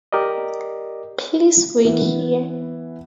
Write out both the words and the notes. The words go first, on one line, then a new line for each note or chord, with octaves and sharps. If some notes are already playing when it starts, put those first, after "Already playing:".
Please wait here.
G4 A#4 D5 D#5
E3 B3